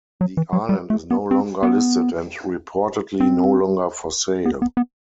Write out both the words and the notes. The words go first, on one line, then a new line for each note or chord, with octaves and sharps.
The Island is no longer listed and reportedly no longer for sale.
F#3
E3
F#3
G3
A3
B3
C4
B3
C4
B3
B3
B3